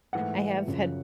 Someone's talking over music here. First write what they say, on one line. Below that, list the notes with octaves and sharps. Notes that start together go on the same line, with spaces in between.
I have had
G#2 E3 A3 F#5
F#2 C#3 F3